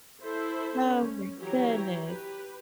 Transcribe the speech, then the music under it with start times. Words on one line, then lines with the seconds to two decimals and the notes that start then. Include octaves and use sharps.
Oh my goodness.
0.22 E4 A4 C5 E5
0.79 C#4
1.36 E3 F#3 G4 C#5 A#5
2.03 G4 B4